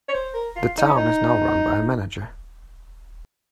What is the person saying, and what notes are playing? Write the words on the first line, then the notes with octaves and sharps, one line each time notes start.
The town is now run by a manager.
C#5
C5
A#4
F4
D#4
C#4
D#4